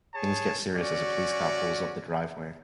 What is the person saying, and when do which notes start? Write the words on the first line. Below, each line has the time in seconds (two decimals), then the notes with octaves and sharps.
Things get serious as a police car pulls up the driveway.
0.14 G#4 C#5 A5
0.77 C#4 F#4 D5